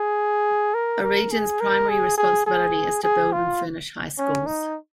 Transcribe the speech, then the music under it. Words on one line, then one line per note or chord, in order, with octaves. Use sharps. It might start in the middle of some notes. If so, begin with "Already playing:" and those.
A region's primary responsibility is to build and furnish high schools.
Already playing: G#4
A#4
A#4
G#4
A#4
G#4
G#4
G#4
G#4
F4
C#4
D#4